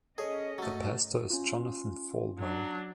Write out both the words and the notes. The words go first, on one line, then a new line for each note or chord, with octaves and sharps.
The pastor is Jonathan Falwell.
C#4 G#4 A4 C#5 D#5
F#3 A3
C#4 F4
F#3 D4